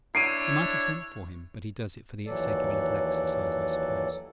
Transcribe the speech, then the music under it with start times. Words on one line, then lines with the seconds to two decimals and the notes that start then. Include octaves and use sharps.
He might have sent for him; but he does it for the sake of a little exercise, I suppose.
0.15 D4 E4 C#5 C7 D7 D#7
2.26 D#2 E3 F#3 A4 D5